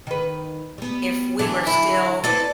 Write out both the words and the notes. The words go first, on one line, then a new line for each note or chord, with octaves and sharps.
if we were still
D#3 B4
G3 B3
D3 E3 F#3 D4
E4
C4 E4 A4 B4 D5